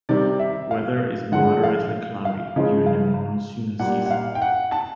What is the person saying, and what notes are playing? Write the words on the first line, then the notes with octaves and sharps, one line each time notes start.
Weather is moderately cloudy during the monsoon season.
C3 D#3 G3 D5
E5
F5
D3 F3 G#3 F#5
F5
F5
C#3 F3 G#3 D#5
F5
A#2 G3 F#5
F#5
F5
G5
F#5
A5